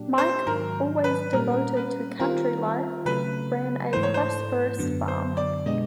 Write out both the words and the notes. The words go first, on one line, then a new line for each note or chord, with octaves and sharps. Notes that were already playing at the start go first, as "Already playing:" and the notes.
Mike, always devoted to country life, ran a prosperous farm.
Already playing: A#2 F#3 A#3 D4 G4
C5
G#2 D#3 F#3 A#4
B4
A#2 G3 A#3 C#4 A#4
B4
D#3 G3 C4 F4 A#4
C#3 F#3 A3 B4
G#2 E3 A3 C5
C#5
C5
F#2 D3 F#3 B3
C5
D5
B2 G#3 B3 D4 G4 D#5